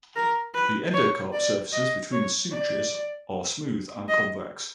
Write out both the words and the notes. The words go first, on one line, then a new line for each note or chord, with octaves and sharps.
The endocarp surfaces between the sutures are smooth and convex.
A#4
B4
C#5
D5
D#5
C#5
D5
D#5